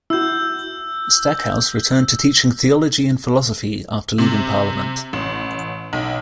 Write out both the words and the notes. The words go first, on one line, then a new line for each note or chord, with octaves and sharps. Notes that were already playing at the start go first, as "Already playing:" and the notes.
Stackhouse returned to teaching theology and philosophy after leaving parliament.
E4 F#4 E6 G6
C3
A1
B1